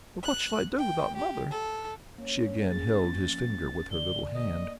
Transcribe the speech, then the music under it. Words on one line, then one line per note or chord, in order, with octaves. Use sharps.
"But what shall I do without mother?" She again held his finger with her little hand.
F#6
G5
G4
A4
A#3 C#4 C#5
G#4 A6
F3
D3 D5 G7
A#3 D#5